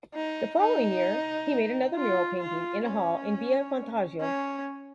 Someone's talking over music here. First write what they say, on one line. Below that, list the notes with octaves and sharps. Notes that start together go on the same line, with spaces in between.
The following year, he made another mural painting in a hall in Via Vantaggio.
D#4
D#4
F4
F4
C#4
C#4